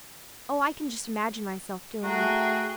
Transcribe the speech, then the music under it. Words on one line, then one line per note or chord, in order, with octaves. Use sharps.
Oh, I can just imagine myself doing it.
A3 F#4 G#4 G5 A#5